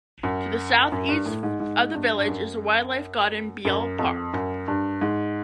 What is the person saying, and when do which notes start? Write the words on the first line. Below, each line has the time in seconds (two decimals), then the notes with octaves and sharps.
To the south-east of the village is the wildlife garden Beale Park.
0.23 F#2
0.92 F#2
1.09 G2
1.26 A2
1.43 G#2
1.60 G#2
1.94 G2
2.18 G2
2.28 F#2
3.65 F#2
3.99 F2
4.33 F#2
4.68 G2
5.01 G#2